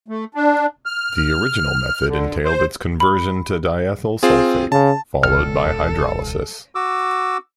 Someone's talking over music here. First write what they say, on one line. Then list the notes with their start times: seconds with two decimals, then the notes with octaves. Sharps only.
The original method entailed its conversion to diethyl sulfate, followed by hydrolysis.
0.08 A3
0.35 D4
0.86 F6
2.07 D3
2.44 C5
3.00 B5
4.23 C4 F4 G#4
4.72 C#3 A5
5.23 E1 C#2 A4 F6
6.75 F#4 D6 E6